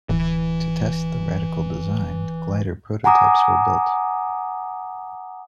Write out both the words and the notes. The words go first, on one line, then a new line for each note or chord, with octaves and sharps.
To test the radical design, glider prototypes were built.
D1 E3
F#5 G#5 A#5 D6 D#6